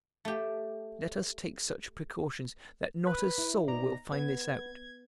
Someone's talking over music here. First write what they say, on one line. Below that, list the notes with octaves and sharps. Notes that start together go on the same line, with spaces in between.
Let us take such precautions that not a soul will find this out.
A3 G4
B4
E4
B2 D#4 D5 A#5
B3 G#6